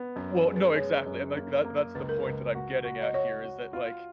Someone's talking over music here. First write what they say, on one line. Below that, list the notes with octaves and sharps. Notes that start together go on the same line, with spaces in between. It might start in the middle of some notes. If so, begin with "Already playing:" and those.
Well, no exactly, and, like, that that's the point that I'm getting at here is that, like,
Already playing: B3
F#2 B4
B4
G#3
B4
G#3 C#5
F#2
A#3
A#3
C#2 B4
A#4
C#2 B4
F#4
F#4
D#5
F#4 C#5
F#4
F4